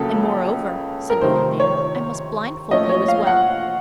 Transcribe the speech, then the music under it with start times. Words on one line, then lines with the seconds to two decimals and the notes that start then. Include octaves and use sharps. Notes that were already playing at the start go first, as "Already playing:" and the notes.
"And moreover," said the old man, "I must blindfold you as well."
Already playing: C#2 C#3 F#3 A#3 A4
1.10 A#4
1.21 C3 D#3 A3 D#4 C5
1.60 C#5
2.71 A#2 F3 A3 C#4 D#5
2.89 C#5
3.08 F5
3.27 F#5